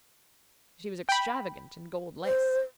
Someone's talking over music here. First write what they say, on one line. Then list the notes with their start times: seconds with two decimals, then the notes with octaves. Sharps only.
She was extravagant in gold lace.
1.09 G5 B5
2.25 C5